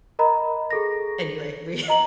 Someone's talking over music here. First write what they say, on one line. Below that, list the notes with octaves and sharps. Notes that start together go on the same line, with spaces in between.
Anyway, we
A#4 D#5 A#5 B5
G#4 A4 A#6
D#5 A#5 F#7